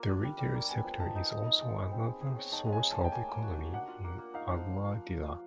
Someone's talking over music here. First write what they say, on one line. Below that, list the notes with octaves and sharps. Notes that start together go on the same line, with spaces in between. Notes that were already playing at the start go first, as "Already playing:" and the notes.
The retail sector is also another source of economy in Aguadilla.
Already playing: A#3 F4
D4
G3
G3
A#3
B3 G#5
F3
D#4 A5
D#4
D#4
D#4
G#3
B3
C4
G#4
G#4
C#5
D#4 A5
G#3
G#5
D#4
A5
G#3
G5
A#3 G#5
A#3
F#4
F#4
D4 F#5
F4
A#3
A#3
D#4 F5
F3